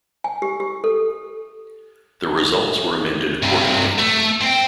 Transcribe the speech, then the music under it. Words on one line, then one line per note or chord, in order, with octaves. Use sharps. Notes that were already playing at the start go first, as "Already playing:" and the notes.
The results were amended accordingly.
G#5
G4
G4
A4
G2 C3
A3
C4 G5